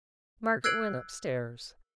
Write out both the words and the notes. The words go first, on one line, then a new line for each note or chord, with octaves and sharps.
Margaret went upstairs.
E6 F#6 G#6 C7 D7 F#7